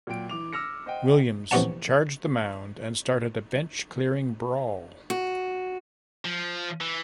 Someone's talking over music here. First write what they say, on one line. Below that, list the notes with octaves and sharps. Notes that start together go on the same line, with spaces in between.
Williams charged the mound and started a bench-clearing brawl.
A#2 F#3 G5 D7
E3 D6 F7
D6 E6 F6 A#6 C#7
C5 D#5 F#5 G5
A#1 E2 C3 C#4 F#5 A5
F#4
F3
E3